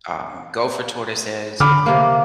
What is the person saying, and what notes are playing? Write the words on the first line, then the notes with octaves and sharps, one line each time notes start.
um, gopher tortoises,
D3 B5 D6 F6
C3 A#3